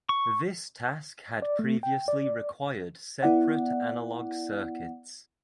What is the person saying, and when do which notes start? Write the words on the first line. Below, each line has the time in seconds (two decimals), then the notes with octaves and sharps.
This task had previously required separate analog circuits.
0.09 C#6
1.42 D5
1.59 A3
1.83 G5
2.08 D5
3.23 B3 E4 D5 F#5